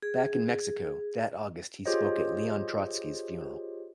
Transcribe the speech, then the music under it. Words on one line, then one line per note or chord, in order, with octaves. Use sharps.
Back in Mexico, that August he spoke at Leon Trotsky's funeral.
G#4
F4 G4 G#4 C5 C#5 D#5